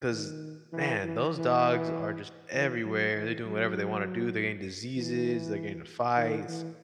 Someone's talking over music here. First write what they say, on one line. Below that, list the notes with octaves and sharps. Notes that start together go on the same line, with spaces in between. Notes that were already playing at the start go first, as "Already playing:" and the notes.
'cause, man, those dogs are just everywhere, they're doing whatever they wanna do, they're getting diseases, they're getting into fights.
D#3
E3
E3
E3
E3
F#3
E3
F#3
E3
D#3
E3